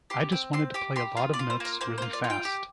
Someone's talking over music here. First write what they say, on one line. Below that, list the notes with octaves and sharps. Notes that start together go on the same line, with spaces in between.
I just wanted to play a lot of notes really fast.
G4 C6
C4 D6
C4 C6
G4 D6
G4 C6
F4 F5
D5
F4
C5
A#3 A#4
A#3 C5
C5
F4
D5
F4
G5
G4